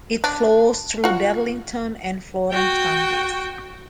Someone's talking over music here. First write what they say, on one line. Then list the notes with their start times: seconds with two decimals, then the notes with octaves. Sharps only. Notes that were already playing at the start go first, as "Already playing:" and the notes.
It flows through Darlington and Florence counties.
0.24 D4
1.04 F4 F#4
2.51 F#4 G5